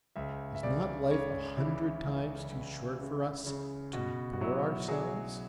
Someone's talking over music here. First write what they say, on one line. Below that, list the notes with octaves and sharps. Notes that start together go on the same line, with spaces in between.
Is not life a hundred times too short for us--to bore ourselves?
C#2 E5
E5
C#2 D5
C#3 C#5
E3 E4
C#2
C#2
C#3
C#3
B2 F#4
F#4
F#3 E4
F#3 G#4